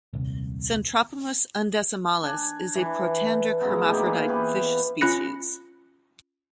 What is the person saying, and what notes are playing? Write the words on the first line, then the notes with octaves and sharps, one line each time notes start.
"Centropumis undecimalis" is a protandric hermaphrodite fish species.
D#1 C2
D4 G#5
E3
A2 C#3 F#3 B3
A#3 D#4 G4
A#2 E3 F5 G#5
B3 C#4 G4 B4
C#4 F4 B5 F#6 A#6 C#7